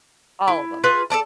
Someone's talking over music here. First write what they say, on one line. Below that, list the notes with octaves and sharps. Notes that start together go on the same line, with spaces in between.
All of 'em.
E4
F4 G#4 B4
A4 C5 D5 A5